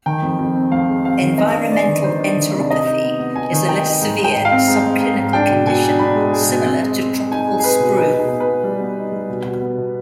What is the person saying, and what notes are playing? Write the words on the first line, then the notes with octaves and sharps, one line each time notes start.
Environmental enteropathy is a less severe, subclinical condition similar to tropical sprue.
D#3 G5
F2
F2
C4
F2 F5
G#3
C4 F5
D#3
B3 D#5
D4
B3 D5
D#3
D#3 C5
D4
D#3
C3
D5
D#4 D#5
D#4
B3
B3
B3 G#5
D#3
D#4 G5
D#4
G#2
G#2
G5
G#2
F5
C4
G#2
G#2
G#2
G#2
D4 G5
B2
B2 G#5
D4
D4 B5
G#3
G#3
B2
C4
G#3
C4
G#3
D#4 G#5
G#3
G#4
G#3 B4
B2
D#4 B4
D#4
G#4
B3
B4
B3
G3
B3
D#4
G3
B2
B2
B3
B2